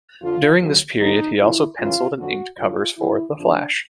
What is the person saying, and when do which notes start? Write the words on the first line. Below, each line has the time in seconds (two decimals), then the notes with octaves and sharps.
During this period he also penciled and inked covers for "The Flash".
0.22 F2 D3 F3 F4
0.61 D#2 D3 F#3
1.00 D#2 D3 F3 D#4
1.40 F#2 C#3 F3 E4
1.79 F#2 C#3 E3 F4
2.19 F2 D3 F#3 F#4
2.58 G2 D3 F#3 F4
2.97 F2 D3 F3 E4
3.37 F2 C3 F3 D4